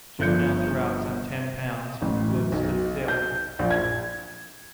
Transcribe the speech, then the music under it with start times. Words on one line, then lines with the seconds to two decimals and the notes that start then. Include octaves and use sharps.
Joe now threw out some ten pounds, but the balloon stood still.
0.19 G1 F3 F#6 G6 C#7
2.02 A1
2.30 F#2
2.52 B1
3.08 G6
3.59 A#1
3.70 G#6